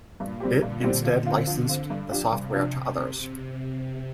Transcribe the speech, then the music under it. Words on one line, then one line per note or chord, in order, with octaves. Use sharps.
It instead licensed the software to others.
G2 A#2
G3 C4 G4
G2 D3
G3 C4 G4
F3
C4 F4
F3
C4 F4
G2
F3 D4 G4
G2 C3
F3 D4